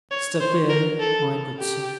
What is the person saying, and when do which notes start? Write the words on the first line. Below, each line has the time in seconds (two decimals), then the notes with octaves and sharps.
"Step in, my good sir."
0.11 C#5
0.40 C5
0.70 A#4
1.00 A4
1.59 G4